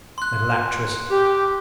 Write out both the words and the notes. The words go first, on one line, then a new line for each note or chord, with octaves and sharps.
Little actress!
C6 F#6
G4